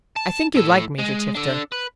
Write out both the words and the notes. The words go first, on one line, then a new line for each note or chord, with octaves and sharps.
I think you'd like Major Tifto.
A5
A2 A4
G#3
D4 A4
B4